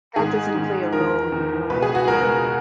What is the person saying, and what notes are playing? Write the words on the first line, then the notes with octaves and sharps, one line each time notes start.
that doesn't play a role in your life, you know?
G#2 D#3 G#4
G#2 D#3
E2 D#3 A#4
E2 D#3
C#2 B2 B4
G#4
F#4
C#2 B2 A#4